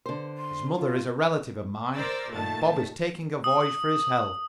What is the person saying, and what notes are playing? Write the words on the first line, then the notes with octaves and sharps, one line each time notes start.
His mother is a relative of mine, and Bob is taking a voyage for his health.
D3 C5
C6
F4
A#4 C5 D5 E6 A6
A#2 D#3 A3 A5 A6
D#6